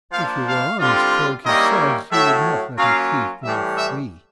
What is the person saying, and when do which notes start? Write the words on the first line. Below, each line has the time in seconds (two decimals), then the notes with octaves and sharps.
"If you were honest folk yourselves, you would not let a thief go free."
0.12 F3 A#3 D4 F5
0.47 F5
0.79 D3 G3 C4 F4
1.45 D#3 G3 A#3 C#4 E4 D#5
2.12 A2 F#3 A3 E5
2.78 F#3 A#3 C#4 F4 F5
3.43 A2 E3 G3 E5
3.77 E5